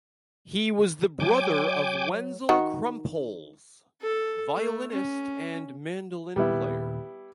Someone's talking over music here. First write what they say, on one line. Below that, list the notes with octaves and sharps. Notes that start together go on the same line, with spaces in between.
He was the brother of Wenzel Krumpholz, violinist and mandolin player.
F#3 G5 G#5 D6
D#3 F#4
A4
A3
C#4
D#1 G3 B3 E4